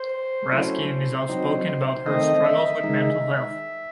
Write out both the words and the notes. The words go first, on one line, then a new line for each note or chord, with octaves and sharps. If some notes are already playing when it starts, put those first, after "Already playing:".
Raskin is outspoken about her struggles with mental health.
Already playing: C5
F#3 A3 C#4 E4
F#3 C4 D#4
D#3 A3 C4 D#5
E5
D#3 G#3 D#4